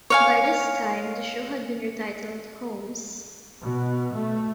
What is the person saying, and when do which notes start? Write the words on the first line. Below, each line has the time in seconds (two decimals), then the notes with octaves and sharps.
By this time, the show had been retitled "Holmes".
0.10 C#5 F5 G#5
3.63 B2
4.16 A3